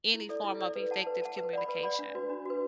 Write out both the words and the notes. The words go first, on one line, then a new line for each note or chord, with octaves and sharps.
any form of effective communication.
E4
A4 D5
E4
A4 D5
B4
F#5 A5
B4
F#5 A5
B4
D5 F#5 B5
B4
D5 F#5 B5
D4
F#4 B4
D4
F#4 B4